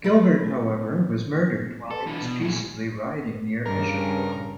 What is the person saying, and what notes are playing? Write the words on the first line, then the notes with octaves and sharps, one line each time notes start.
Gilbert however was murdered while he was peaceably riding near Eschafour.
A3 B4
A4
E3 D4
B2
A#2 G#3
G2 C#3 A#4